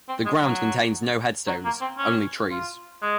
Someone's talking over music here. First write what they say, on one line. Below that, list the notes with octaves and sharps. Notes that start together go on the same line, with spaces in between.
The ground contains no headstones - only trees.
C4
G#3
F#3
F#3
A#3
C4
C#4
F4
G#3